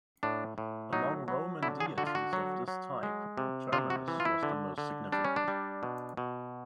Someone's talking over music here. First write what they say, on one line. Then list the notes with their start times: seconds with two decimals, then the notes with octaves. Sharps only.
Among Roman deities of this type, Terminus was the most significant.
0.23 A2 D4
0.58 A2
0.93 F#3 D#4
1.28 F#3
1.63 D3 E4
1.80 G#4
1.98 D3 F#4
2.07 F4
2.15 F#4
2.33 F#3
2.68 F#3
3.03 G#3
3.38 C3
3.72 C3 F4
3.90 F#4
4.08 E3
4.20 F4
4.25 E4
4.43 D3
4.78 D3
5.12 G3 D4
5.25 C#4
5.36 D4
5.48 G3
5.83 B2
6.17 B2